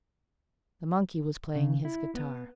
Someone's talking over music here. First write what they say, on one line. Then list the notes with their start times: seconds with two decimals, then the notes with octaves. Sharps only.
The monkey was playing his guitar.
1.55 C#3
1.85 E4
2.15 B3